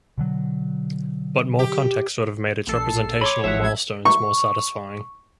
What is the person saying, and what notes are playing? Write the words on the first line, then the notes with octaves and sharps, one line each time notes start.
But more context would have made its representational milestones more satisfying.
B2 D3 F#3
G4
A#1 A4 C7
C#5 B5 C6 D6
A1 F3 G#3 E5 F#5
G#6
C#6